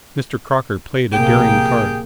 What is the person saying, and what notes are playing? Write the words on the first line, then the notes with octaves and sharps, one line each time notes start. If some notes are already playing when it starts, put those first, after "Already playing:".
Mr. Crocker played a daring card.
A#1 C3 A#3 G4 G#4 G5